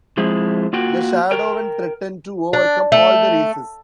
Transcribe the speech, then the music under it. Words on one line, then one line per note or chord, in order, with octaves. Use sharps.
The Shadowen threaten to overcome all the Races.
F3 G#3 C4 E4
A#3 F4 F#4 G5
A#4 G5
D4
A3